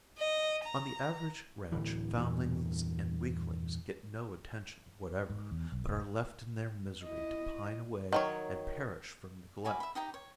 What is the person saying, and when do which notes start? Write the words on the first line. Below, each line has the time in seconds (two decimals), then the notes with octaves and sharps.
On the average ranch foundlings and weaklings get no attention whatever, but are left in their misery to pine away and perish from neglect.
0.18 D#5
0.64 A#5
1.72 D1 E3
2.17 E2 G2 A#2
5.30 G#2
5.51 E2
5.72 B1
5.87 F1
7.04 E4 D#5
8.13 D#3 F#3 C#5
9.65 F#4 G#5 B5 D6
9.80 E5 B5
9.95 D#4 G4 G5 A#5
10.14 C#5